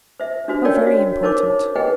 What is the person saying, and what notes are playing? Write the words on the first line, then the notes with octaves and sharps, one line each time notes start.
"Oh! very important."
C5 E5
D4 F#4 C5
C#4 A#4 C#5 D5 G5
F#4
D#4 A#4 C5 C#5 D6
G#4 B4 D#5 F#5 G5